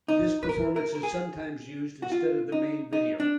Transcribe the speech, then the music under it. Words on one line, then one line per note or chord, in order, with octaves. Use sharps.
This performance is sometimes used instead of the main video.
D#4
B4
A#4
A#4
A#4
G#4
F#4
F4
D#4
D#4
D4